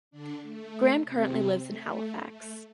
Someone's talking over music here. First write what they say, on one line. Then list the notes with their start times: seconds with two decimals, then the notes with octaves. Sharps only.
Graham currently lives in Halifax.
0.11 D3 D4
0.42 A3
1.04 C3 C4
1.66 A3
2.28 A3